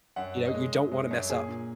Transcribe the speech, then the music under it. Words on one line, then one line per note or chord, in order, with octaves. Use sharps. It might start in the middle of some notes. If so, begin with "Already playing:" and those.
You know, you don't wanna mess up,
F#2 F#5
F#2
D#5
G#3
F#2
G#3
F#2
A#2 G#4
A#2